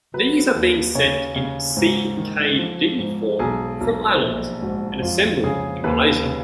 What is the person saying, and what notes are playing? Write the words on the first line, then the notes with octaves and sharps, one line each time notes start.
These are being sent in ckd form from Ireland and assembled in Malaysia.
F#3 B4
D#2
C#3 C#5
C#3
G#2
D#3
F3
G#2
B1 G#4
B1
A#1
G#2 F#4
F2 F4
C#3 G#4
D#2 B4
C#3